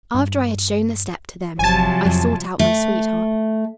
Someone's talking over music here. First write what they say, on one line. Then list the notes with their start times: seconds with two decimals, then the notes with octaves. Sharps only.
After I had shown the step to them I sought out my sweetheart.
0.15 G2
1.59 G1 C3 F3 F#3 G#5 A5
2.05 F2
2.59 A3